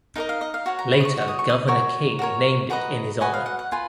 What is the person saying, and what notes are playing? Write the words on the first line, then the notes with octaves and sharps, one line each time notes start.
Later Governor King named it in his honour.
D#4 A#4 D#5 F5
F5
D#5
F5
F#4 C#5 F#5
A#5
B5
D#6
C#6
F#4 C#5
D#6
C#6
D#6
F#4 A#4 C#5 C#6
F#4 A#4 C#5
F#4 B4 D#5 A#5
F#4 B4 D#5 G#5
F5
F#5
F#5
F4 B4 G#5